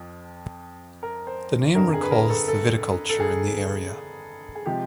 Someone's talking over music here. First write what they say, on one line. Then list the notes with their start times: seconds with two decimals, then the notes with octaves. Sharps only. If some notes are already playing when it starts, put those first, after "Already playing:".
The name recalls the viticulture in the area.
Already playing: F2 F3
1.03 A#4
1.27 C5
1.75 G1 F2 D3 A#4
1.94 G#4
2.03 B4
2.11 A#4
2.30 A4
2.48 A4
3.09 A4
3.20 G#4
4.55 G#4
4.66 C3 F3 G#3 G4